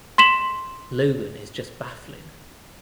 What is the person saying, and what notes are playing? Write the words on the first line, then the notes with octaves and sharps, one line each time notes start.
Logan is just baffling.
C6 B6 E7 F#7